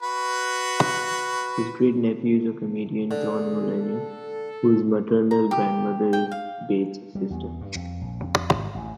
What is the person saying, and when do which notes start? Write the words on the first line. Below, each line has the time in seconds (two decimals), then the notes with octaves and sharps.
His great-nephew is comedian John Mulaney, whose maternal grandmother is Bates' sister.
0.02 F#4 B4
3.11 D3 G#4
3.76 A4
5.31 A#5
5.51 G4
6.13 G5
6.32 F5
7.15 G3
7.30 E2
7.61 G2
7.75 F2
8.01 A#1
8.21 F2
8.53 G#1
8.75 A1